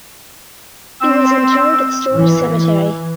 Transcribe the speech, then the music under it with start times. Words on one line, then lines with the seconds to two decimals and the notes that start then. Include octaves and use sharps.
He was interred at Storrs Cemetery.
1.01 C4 E6
2.12 E3